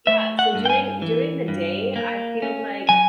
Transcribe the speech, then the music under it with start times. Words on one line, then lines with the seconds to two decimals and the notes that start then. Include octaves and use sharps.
yeah, so during during the day, I feel like,
0.07 A3 E5
0.39 F#5
0.55 G2
0.65 G5
0.70 G#5
1.02 E3
1.48 G2
1.96 A#3
2.42 C#4
2.89 F#3 G#5